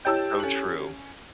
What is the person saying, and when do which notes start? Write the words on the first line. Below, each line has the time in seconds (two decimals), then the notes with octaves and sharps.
Oh, true.
0.05 E4 G4 C#5 D#5 G5 A5 E6 G6
0.40 C#4 A4 F#6 F#7